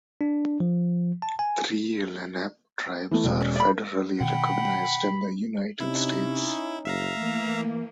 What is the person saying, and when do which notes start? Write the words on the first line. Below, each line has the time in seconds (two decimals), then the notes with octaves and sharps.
Three Lenape tribes are federally recognized in the United States.
0.21 D4
0.60 F3
1.22 A5
1.39 G#5
3.11 E3 A3
3.24 E1
3.41 C#4
3.56 D5 B5
4.21 B2 D#3 F#5 G5 B5
5.80 C3 C#4 D#4 E4
6.85 F#1 E5 F5 A#5
7.17 E3 A3 A#3